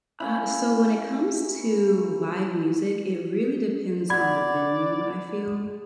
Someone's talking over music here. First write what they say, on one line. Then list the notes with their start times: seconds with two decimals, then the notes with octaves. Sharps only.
Uh, so when it comes to live music, it really depends on the venue, I feel.
0.20 A#3 C#4 E4
4.10 D5 F#5 B5 G#6